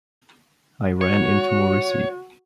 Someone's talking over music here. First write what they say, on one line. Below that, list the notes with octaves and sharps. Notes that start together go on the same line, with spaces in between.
I ran into Morisi.
F#4 C#5